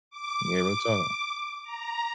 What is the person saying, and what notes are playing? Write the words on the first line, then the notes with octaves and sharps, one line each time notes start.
Yeah, real talk.
D6
A#5